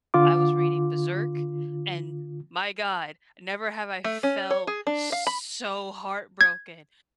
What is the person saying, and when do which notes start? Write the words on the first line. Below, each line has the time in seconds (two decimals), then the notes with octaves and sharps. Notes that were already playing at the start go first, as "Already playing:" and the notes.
I was reading Berserk, and my god! Never have I felt so heartbroken
0.14 D3 F4 D6
4.04 A3
4.23 C#4
4.51 C#5
4.67 G#4
4.87 D4
5.12 F5
5.27 B5
6.41 G#6